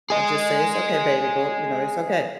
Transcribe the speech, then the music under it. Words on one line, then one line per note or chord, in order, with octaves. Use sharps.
I just say, "it's okay, baby, go you know, it's okay.
G#4 D#5